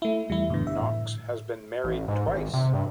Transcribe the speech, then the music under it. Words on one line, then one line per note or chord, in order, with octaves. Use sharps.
Knox has been married twice.
A3 E4
E2 G3 E4
F#1 A2 D3 E3 B3
E5
A2
A1
G#2
G#1
C3
G2